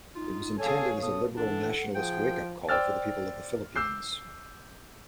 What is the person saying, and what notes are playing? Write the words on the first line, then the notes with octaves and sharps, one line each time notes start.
It was intended as a liberal-nationalist wake-up call for the people of the Philippines.
D#4 F4
G#4 A4 C#5 F5 G#5
B2 A4 D#6
E3 D4 A4 F#5
F3 G#4 G5
C5 D5 G5 E6 F6 A6
D6 E6 G6 C7